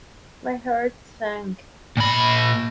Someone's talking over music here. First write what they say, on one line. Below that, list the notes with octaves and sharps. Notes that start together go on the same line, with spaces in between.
My heart sank.
A#2 B5